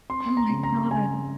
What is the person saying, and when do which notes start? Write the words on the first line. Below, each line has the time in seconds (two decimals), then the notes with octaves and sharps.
Oh my god.
0.09 C4 C6
0.37 A#5
0.50 C#3
0.63 A#5
0.90 C#3 G#5